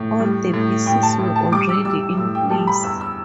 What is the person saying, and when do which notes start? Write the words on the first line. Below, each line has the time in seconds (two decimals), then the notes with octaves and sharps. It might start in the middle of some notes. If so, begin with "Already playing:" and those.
All the pieces were already in place.
Already playing: A2
0.20 G3
0.53 A2
0.86 A2 G5
1.03 A5
1.19 A2
1.36 A5
1.52 G3 D6
1.69 E6
1.85 G3 E6
2.18 A2 E6
2.35 G5
2.50 G3 A5
2.67 B5
2.84 E2 E6
3.01 E6